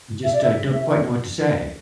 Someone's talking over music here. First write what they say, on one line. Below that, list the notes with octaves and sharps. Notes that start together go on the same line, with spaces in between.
You just, uh, don't quite know what to say.
E5
D5
E5